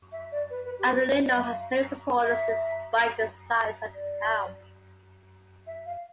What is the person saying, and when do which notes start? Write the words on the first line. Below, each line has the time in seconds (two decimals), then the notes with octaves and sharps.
Avellino has many supporters despite the size of the town.
0.12 E5
0.32 D5
0.50 B4
0.65 B4
0.79 G4
0.87 C5
0.93 B4
1.08 C5
1.23 D5
1.36 E5
1.50 F5
2.23 E5
3.94 D5
5.67 E5
5.86 F5